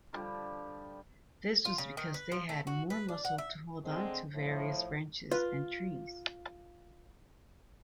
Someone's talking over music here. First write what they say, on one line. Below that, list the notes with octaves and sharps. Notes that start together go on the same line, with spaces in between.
This was because they had more muscle to hold onto various branches and trees.
D3 F3 G3 G4
F4
C#3
D#3
B4
F3
A3
F#4
B4
D4
F#5
E5
D3 G#3 C4
A2 F3
F4 B4